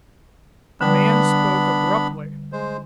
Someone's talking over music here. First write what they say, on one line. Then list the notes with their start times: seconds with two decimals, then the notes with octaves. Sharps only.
The man spoke abruptly.
0.81 D3 G3 B3 D4 B4 B5
2.52 G#3 C5